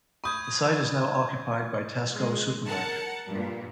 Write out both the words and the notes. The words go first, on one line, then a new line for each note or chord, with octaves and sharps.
The site is now occupied by Tesco supermarket.
B5 C#6 D#6 G6 G#6
G#3
A#4 F#5 A5 C#7
G2 A#2